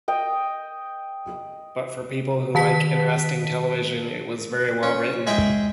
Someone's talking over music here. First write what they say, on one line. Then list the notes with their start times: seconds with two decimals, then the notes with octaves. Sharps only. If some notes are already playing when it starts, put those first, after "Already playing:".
But for people who like interesting television, it was very well written.
0.08 D#5 G5
2.55 D#3 A5 B6
4.83 C#4
5.27 G#3 G#4 E5 G5